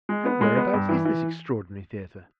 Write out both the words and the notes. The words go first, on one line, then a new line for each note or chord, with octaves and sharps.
And whereabouts is this extraordinary theatre?
G#3
B3
G#3
B3
G2
E3
E3